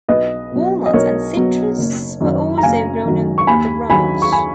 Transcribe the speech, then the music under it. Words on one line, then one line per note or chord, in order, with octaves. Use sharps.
Walnuts and citrus were also grown on the ranch.
B1 B4 D#5
B2 F#3
D#5
B1 A#4 C#5
B2 F#3
F#1
F#2 D#3 F#3
A#5
F#1 F5 G#5
F#2 D#3 F#3
C#6
D#2 G#5 B5
D#3 F#3 G#5 B5
C#6
G#5 B5